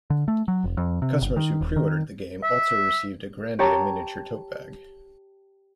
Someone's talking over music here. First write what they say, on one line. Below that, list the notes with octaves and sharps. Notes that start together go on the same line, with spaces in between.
Customers who pre-ordered the game also received a "Grandia" miniature tote bag.
D3
A3
F#3
F1
F2
C3
G1
D#3
D#1
D#3
E5
G4 C#5 A5 A#5